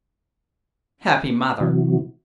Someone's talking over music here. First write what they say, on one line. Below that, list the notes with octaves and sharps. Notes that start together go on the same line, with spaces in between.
Happy mother!
C3 E3 F#3